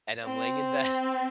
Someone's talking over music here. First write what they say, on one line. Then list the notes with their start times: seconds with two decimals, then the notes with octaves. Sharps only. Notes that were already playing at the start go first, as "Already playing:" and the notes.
and I'm laying in bed
0.23 C4